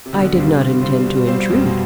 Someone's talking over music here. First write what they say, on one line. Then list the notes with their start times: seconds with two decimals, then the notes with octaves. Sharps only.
"I did not intend to intrude."
0.06 C3
0.13 B2 D3
0.24 D3
0.35 G2 G3 C4 F4 C5
0.47 G2
0.58 B2
0.81 G3 C4 F4 C5
1.04 B2
1.27 G3 C4 F4 C5
1.50 F2 B2
1.65 B2